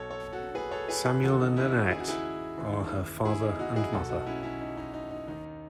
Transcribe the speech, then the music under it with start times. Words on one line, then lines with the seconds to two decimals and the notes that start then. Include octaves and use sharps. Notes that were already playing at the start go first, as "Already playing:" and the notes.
Samuel and Annette are her father and mother.
Already playing: B1 B2 A4 C#5
0.10 A4 C#5
0.33 F#4 A4
0.55 G#4 B4
0.71 A4 C#5
0.88 G#4 B4
1.05 G#4 B4
1.22 D#2 C#3 E3 F#4 A4
1.40 D#4
1.56 C#4 E4
1.91 G#4
1.99 F#4
2.08 E4 G#4
2.58 D#2 C#3 E3
3.25 E4 G#4
3.42 D#4
3.59 D#4 F#4
3.76 E4 G#4
3.93 B1 B2 F#4 A4
4.09 D#4 F#4
4.26 C#4 E4
4.43 C#4 E4
4.61 D#4
4.77 D#4
4.94 D#4
5.11 D#4
5.28 D#2 D#3 D#4